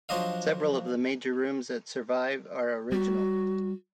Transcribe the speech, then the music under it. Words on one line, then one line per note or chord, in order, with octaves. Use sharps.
Several of the major rooms that survive are original.
F3 F#3 D4 D#5 F5
G3 F#4